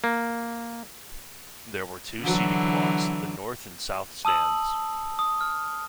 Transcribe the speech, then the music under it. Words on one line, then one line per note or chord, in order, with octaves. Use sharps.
There were two seating blocks, the North and South Stands.
A#3
D3 E3 F#3
A5 D#6 E6 F#7
D#6
F6